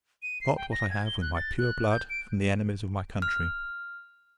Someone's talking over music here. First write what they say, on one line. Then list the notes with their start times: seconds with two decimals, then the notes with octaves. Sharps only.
I got what I have with my pure blood, from the enemies of my country.
0.23 D#7
0.41 C7
0.56 G5
0.72 A#6
0.90 G#6
1.06 G7
1.22 F#6
1.35 A6
1.58 F#6
1.90 G6
2.10 D7
3.22 F6